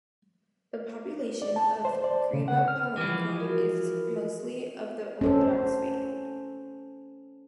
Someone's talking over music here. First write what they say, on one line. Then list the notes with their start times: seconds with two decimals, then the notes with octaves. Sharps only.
The population of Kriva Palanka is mostly of the Orthodox faith.
1.42 D5
1.56 A5
1.85 C5
2.04 D5
2.33 C#3
2.48 F#5
2.68 F6
2.97 E3 F3
3.40 F#4 A#4
5.21 C#4 A4 C5